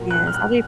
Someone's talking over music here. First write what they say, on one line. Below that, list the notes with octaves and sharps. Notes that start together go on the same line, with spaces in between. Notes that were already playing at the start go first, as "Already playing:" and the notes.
Yes, I'll be
Already playing: A#2 F#3 A#3
F#6
F6
F#6